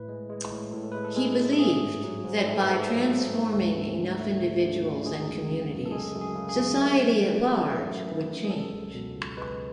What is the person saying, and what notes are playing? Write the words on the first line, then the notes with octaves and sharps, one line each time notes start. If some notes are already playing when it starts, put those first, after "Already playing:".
He believed that by transforming enough individuals and communities, society at large would change.
Already playing: A2 B4
G#3
G#3
A2
A2 A4
G#3 B4
A4
G#3 G#4
A2
A4
A3 G#4
G#2
F#3
G#2
A3 A4
B4
G#2 A4
F#3
G#2
A3
D2
D3
D2
A3
D2
D3
D2
G#3 G#4
F#2
C#3
F#2
A4
G#3 G#4
F#2
G#4
C#3
G#4
F#2
A3
F#2
E3
F#2
A3
F#2
E3
F#2
G#4
G#3 A4
C#2
B2
C#2
G#3 B4